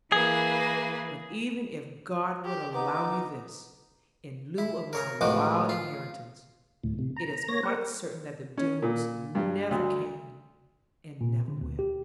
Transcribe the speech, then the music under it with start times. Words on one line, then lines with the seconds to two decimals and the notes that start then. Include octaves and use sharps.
But even if God would allow me this, in lieu of my wild inheritance, it is quite certain that the Doones never can and never will.'
0.12 E3 A#3 G#4 B4
2.45 G4
2.74 B3 D#4 D6
4.58 E4
4.93 A#4 C#5 A#5
5.21 A1 D#3 F3 G#3 F#4 D6
5.69 F4
6.84 D2 A2
6.99 C3
7.16 A#5
7.49 A#3 C#5 A#6
7.63 A#3 A#4 C5 F#5
8.57 C#4
8.82 A#2
9.35 G2
9.71 D2
11.21 A#2
11.48 D3
11.61 D2
11.79 G4